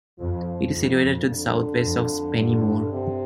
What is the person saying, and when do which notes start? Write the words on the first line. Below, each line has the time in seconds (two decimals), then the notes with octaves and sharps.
It is situated to the south west of Spennymoor.
0.19 F2 F3
0.73 F2
1.28 D3
1.83 F2
2.38 G2 D3
2.92 C3